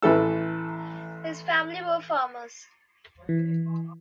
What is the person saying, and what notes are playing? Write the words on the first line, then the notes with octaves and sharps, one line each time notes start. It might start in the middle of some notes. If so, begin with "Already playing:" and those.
His family were farmers.
A1 E3 A3 A4 E6
E3